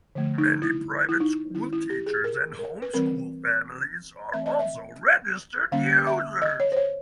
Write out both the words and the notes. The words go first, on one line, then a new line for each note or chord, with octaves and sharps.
Many private school teachers and home school families are also registered users.
D3 F3 A3
D#4
E4
E4
D#4
D#3 G#3 C#4 E4
E4
G4
G#4
A#4
A#4
B4
E3 G3 C4 A#4
E3 A3 C4 E5
D#5
E5
D3 G3 A#3 C#4 F5
E5
D#5
C#5
C5
C#5